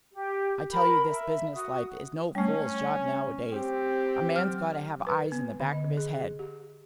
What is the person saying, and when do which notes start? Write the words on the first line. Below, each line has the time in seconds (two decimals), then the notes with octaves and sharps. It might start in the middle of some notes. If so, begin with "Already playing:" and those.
I tell you this business life is no fool's job nowadays--a man's got to have eyes in the back of his head.
0.13 G4
0.71 A#4 B5
1.11 E5
1.54 F#4 D#6
2.35 G3 A3 C#4
3.50 C4 G4
4.36 F#3 F6
5.07 B4
5.32 B3
5.60 D3
5.73 D#5
5.97 G#4
6.39 G4